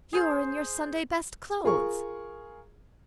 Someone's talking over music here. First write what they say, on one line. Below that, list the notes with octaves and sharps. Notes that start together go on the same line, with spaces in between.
You are in your Sunday-best clothes!'
G#4 C5
F4 G#4 A#4 C#6